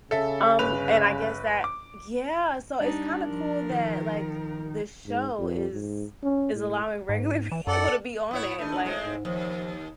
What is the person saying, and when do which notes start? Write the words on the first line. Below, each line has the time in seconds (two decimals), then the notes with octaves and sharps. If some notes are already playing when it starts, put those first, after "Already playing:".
Um, and I guess that yeah, so it's kinda cool that, like, the show is is allowing regular people to be on it, like,
0.11 C#3 A4 E5
0.59 G1 B4 F7
1.64 D6
2.81 G3 D4 D#4
3.26 F3 A#4
3.70 D#3
5.06 G#2
5.39 F2
5.72 G#2
6.23 C#4
6.53 A2
7.09 G#2
7.52 E3
7.67 F#2 A4 D5 F#5
8.31 A2 B3 E4 C#5
8.59 D#2 A3 D4
8.85 A2 G#3 C4
9.02 G#2
9.25 D#2 F3